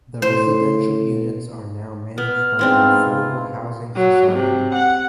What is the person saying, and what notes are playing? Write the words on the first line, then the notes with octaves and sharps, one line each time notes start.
The residential units are now managed by the Affordable Housing Society.
A2 C5
B3 F6
G#2 B3 C4 D4 E4 F4
F#3
C3
F#5